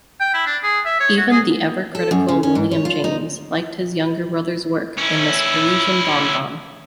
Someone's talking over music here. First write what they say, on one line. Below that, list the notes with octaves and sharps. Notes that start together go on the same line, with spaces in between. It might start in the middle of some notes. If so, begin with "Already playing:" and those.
Even the ever-critical William James liked his younger brother's work in this Parisian bonbon.
G5
E4
D4
G#4
E5
C#5
F#4
G#4
A4
F#2
C#3
C#4
G#2
C#5
F4
D#4
C#4 E4